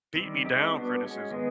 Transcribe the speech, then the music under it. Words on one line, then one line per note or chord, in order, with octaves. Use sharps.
beat-me-down criticism.
D#3 G3 C4
G#3 C4 D#4 G4
G3 B3 D4 F#4
G#3 C#4 F#4
D#3 G#3 B3 D#4 G#4